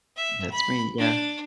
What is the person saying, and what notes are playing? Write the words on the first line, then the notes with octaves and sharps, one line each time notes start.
That's me, yeah.
E5
B5
D4